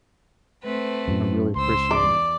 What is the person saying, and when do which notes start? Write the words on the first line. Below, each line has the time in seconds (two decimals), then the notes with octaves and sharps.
I really appreciate it.
0.63 A3 C4 B4
1.08 F#2 A2
1.56 C#2 C5 C6 E6
1.91 E2 D5 D6